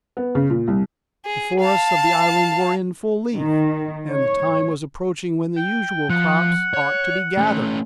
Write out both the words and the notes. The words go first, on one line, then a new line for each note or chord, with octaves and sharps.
The forests of the island were in full leaf, and the time was approaching when the usual crops ought to be gathered.
B3
C#3
A#2
C2
G#4
F5 A5
D#3
C#5
G5
F3 F#5
C#5
A3 C#4